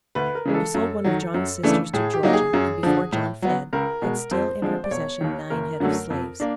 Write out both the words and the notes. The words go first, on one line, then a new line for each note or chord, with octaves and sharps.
She sold one of John's sisters to Georgia, and before John fled, had still in her possession nine head of slaves.
D2 B4
A#4
C#3 E3 G#3
A4
F#2
D#3 F#3
F#2
C#3 E3 A3 D4
A2 G#4
G4
F#3 A#3 D#4
G#4
F#2
D3 F3
A2
F#3 B3
C#2 A#4
B2 G#3
F2 C5
D3 F3 G#3 C4
D5
E1 C#5
D#2 D#3
F#1 A#4
F#2 D3 F#3 A3
F2
A#3 D4